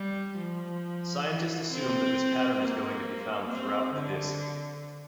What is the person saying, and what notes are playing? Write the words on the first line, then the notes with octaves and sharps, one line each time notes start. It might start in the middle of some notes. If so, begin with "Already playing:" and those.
Scientists assume that this pattern is going to be found throughout the disk.
Already playing: G3
F3
E3
C4
A#3
C4
D3